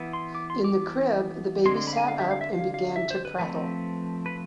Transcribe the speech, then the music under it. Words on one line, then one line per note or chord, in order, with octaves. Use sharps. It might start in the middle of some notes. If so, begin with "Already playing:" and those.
In the crib the baby sat up and began to prattle.
Already playing: E3 B3
C6
D6
C6
D6
D3 G#3 C4 C6
C6
B5
F5
G#5
F5
E5
F5
E5
F5
F5
E5
C5
B4
F3 A3 C4 B4
B4